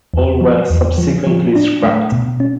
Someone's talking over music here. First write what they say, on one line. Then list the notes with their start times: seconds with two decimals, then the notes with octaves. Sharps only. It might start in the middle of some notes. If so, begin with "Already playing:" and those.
All were subsequently scrapped.
0.14 E2
0.41 F3
0.70 E2
0.98 F3
1.27 F3
1.55 D4
1.84 A3
2.12 B2
2.40 C#4